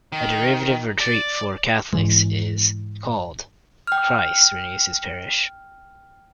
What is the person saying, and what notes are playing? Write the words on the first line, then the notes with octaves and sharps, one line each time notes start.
A derivative retreat for Catholics is called "Christ Renews His Parish".
D#3
D5
G#2 E3 G#3
G5 F6